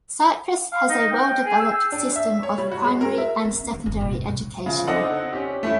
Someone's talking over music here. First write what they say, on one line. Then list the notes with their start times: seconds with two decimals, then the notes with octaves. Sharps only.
Cyprus has a well-developed system of primary and secondary education.
0.73 F5
0.89 D#4
1.11 G5
1.45 G#4
1.59 E6
1.92 D4
2.16 E5
2.43 C#5
2.58 G3
2.72 F#4
2.84 G#3
3.01 A#4
3.18 E5
3.45 B3 C4
3.60 D4
3.73 D#2
3.86 F#1
4.01 C2 A#2
4.24 B1 G2
4.66 C#3 F3
4.88 C4 D4 D#4 A4 D#5 F#5
5.33 C#4 G4
5.63 A3 C#4 E4